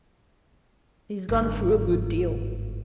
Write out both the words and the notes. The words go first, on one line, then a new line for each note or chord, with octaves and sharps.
He's gone through a good deal.
G1 G#2